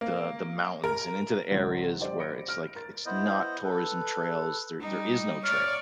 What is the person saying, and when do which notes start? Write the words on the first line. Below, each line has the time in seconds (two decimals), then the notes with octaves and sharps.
the, the mountains and into the areas where it's like it's not tourism trails, there there is no trail.
0.01 A#3
0.84 A#4
1.51 G#1 C#2 F#3 C4 A6
2.01 G4 C5 D5
2.20 B5 A#6 C#7 D7
2.48 F6 A#6 D7
2.75 A#4 A6
3.06 B3 E4 C5 D#5
3.63 A4 B4
4.80 G3 D#4
5.44 C#5 D5 F6